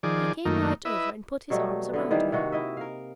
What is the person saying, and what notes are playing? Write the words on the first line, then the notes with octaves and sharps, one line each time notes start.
He came right over and put his arms around me.
D#3 F3 G#4 D5
F#2 D#3 A3 A#3 D#4
E4 B4 D#5 E5
B2 F#3 G3 A3
D3 B3 E4
D#3 E3 G3 A#3
C3 D#3 F#4
E4 D#5 E5
A#4 F5